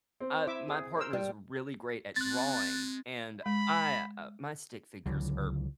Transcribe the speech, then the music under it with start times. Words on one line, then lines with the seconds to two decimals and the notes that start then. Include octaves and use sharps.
uh, my partner is really great at drawing, and I, uh, my stick figures are f
0.20 C4
0.47 E4 E5 D6
0.68 G#4
0.97 A#4 C5 E6
1.13 G3
2.16 G#3 C4 F#6 A6
3.46 G#3 B5
5.06 C#2 D3 E3 F#3